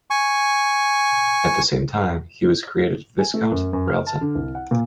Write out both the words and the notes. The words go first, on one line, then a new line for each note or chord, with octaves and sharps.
At the same time, he was created Viscount Rialton.
G#5 C#6
G#5
A3
F#2
F#2
F6
A5
D3
C2
F#5
A#2